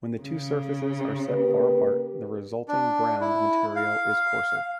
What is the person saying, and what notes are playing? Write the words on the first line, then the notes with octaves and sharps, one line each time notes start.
When the two surfaces are set far apart, the resulting ground material is coarser.
C#3
A#3 G4 B4
D4
E4
F5